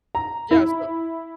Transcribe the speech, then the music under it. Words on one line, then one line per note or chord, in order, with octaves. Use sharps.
Yeah, so
A#5
E4